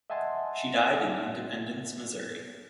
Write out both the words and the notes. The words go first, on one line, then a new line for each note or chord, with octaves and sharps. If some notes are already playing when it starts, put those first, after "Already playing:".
She died in Independence, Missouri.
D#5 E5 F#5 G#5 A5 C6